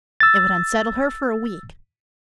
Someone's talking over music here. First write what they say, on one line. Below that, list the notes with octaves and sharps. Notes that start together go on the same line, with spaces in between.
It would unsettle her for a week.
E6 A6